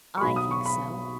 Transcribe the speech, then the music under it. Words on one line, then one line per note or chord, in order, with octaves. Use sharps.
"I think so."
C#6
B1 B2 F#3 B5
D#6
C#6
B5